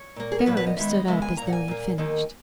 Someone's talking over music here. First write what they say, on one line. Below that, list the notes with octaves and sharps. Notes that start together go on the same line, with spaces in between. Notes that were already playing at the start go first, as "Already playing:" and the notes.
Pharaoh stood up as though he had finished.
Already playing: C#5
A#2 A#3
G#4
A#4
A#2 F#3 B3 B4
B4
D#5
D#2 D#3 G#3 B3 E5
D#5
D#2 C#3 G#3 B3 E5
G#5
A#2 A#3 A#5
F#5
G#5
A#2 A#3
D#2 D#3 A#3